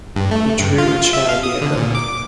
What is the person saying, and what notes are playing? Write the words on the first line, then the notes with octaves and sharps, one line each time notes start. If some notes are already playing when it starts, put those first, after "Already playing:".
He drew a chair near her.
G2
A3
G2
F4
E5
F5
D#6
D3
A#2
D6